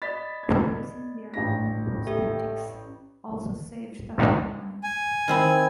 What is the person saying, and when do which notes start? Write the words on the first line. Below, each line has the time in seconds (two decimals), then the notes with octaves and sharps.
Producing their own prosthetics also saved the home money.
0.02 D5 D#5 B5 A6 B6
0.43 G#6
1.34 A1 D4 A#6
2.07 G4 A4 E5
4.83 G#5
5.28 D#3 C4 E4